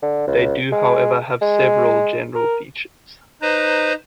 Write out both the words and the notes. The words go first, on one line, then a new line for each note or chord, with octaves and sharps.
They do however have several general features.
D3
C#2
G#3
G#3
A#4
D#4 B4 C5 A#5